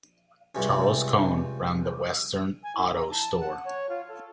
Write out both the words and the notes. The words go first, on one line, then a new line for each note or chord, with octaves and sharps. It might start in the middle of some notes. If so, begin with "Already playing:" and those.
Charles Cone ran the Western Auto Store.
C#2 G2 C3 C#4
G#5
E4
A#5
A5
F#5
C#5
F4
A4